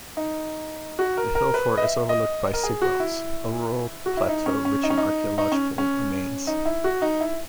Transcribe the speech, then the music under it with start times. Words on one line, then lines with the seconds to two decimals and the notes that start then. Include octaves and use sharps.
The hill fort is overlooked by Sigwells, a rural plateau rich in archaeological remains.
0.17 D#4
0.99 F#4
1.17 A#4
1.35 A#4
1.54 B4
1.77 D#5
1.82 E5
2.09 D#5
2.53 A#4
2.64 G#4
2.82 F#4
3.00 E4
4.06 F#4
4.17 E4
4.28 D#4
4.46 C#4
4.65 C#4
4.83 D#4
4.90 C#4
4.98 D#4
5.38 D#4
5.52 C#4
5.78 C#4
6.47 D#4
6.65 E4
6.84 F#4
7.02 D#4
7.20 E4